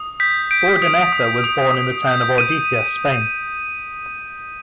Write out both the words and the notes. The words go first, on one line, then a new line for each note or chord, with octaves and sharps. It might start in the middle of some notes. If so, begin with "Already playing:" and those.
Urdaneta was born in the town of Ordizia, Spain.
Already playing: D#6
G6 B6
G6 D7
D#6
D#6
D#6
D#6
G6
G6 D#7